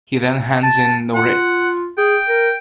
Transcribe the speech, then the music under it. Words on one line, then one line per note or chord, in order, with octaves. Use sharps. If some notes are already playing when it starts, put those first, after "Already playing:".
He then hands in the writ.
A5
F4 F#5
G#4 G5
A#4